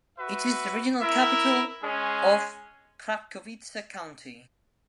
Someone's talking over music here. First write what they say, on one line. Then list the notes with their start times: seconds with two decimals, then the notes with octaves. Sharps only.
It is the regional capital of Krapkowice County.
0.18 F#4 B4 E5
1.00 E4 A#4 E5
1.81 G#3 C#4 G#4